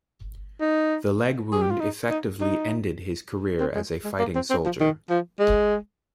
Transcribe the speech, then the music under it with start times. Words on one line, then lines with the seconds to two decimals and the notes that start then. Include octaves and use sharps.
The leg wound effectively ended his career as a fighting soldier.
0.61 D#4
1.53 G#4
1.62 G4
1.71 F4
1.81 D#4
2.10 D#4
2.41 D#4
3.60 C4
3.76 G#3
4.04 G#3
4.19 A#3
4.35 C4
4.50 C4
4.66 F3
4.81 D#3
5.10 F3
5.40 G#3